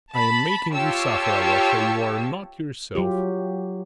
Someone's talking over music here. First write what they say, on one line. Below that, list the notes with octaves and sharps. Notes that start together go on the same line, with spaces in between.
I am making you suffer, Alyosha, you are not yourself.
A5 B5
F4 G4 C#5 A5 E6
F#3 F4 G4